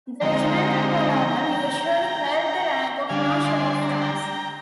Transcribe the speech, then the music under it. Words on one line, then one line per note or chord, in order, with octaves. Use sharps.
The regimental colonel usually held the rank of Marshal of France.
D3 F3 G#3 C4 D#4 G5 A#5
G5 A#5
D3 G3 D4 F5 G#5
G#5 C6
A#5
C6
G5 A#5